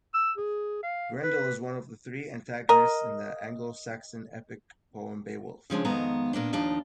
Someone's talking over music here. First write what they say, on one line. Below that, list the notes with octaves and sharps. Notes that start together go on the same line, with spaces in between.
Grendel is one of three antagonists in the Anglo-Saxon epic poem Beowulf.
E6
G#4
F5
B4
A#4 D#5
C#3 F3 G#3 D4
F2 D#3 G#3 B3 F5 A#5
A#2 A#3 B3 D4
D#2 F3 D4 D#4 F5